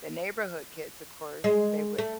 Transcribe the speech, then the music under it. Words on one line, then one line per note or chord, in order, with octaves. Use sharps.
the neighborhood kids, of course, they would
G#3
A3